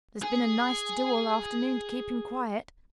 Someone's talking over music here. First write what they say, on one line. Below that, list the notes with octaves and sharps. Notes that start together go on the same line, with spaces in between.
There's been a nice to do all afternoon to keep him quiet.
G#4 G#5